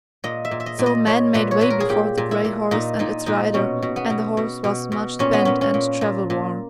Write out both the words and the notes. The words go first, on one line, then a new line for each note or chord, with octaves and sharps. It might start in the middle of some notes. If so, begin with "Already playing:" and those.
So men made way before the grey horse, and its rider, and the horse was much spent and travel-worn.
A#2 D#5
E5
A#2
E5
D#5
A#2
D#5
A#2 C#5
A#2 B4
C#5
A#2 B4
A#4
G#4
A#2 G4
A#2
E4
A#2
A#2 D#4
A#2 D#4
A#2 D#4
B2 C#4
B2
B3
B2
B2
B2
B2
A#2 C#4
B3
A#2 C#4
C#4
A#2
A#2
A#2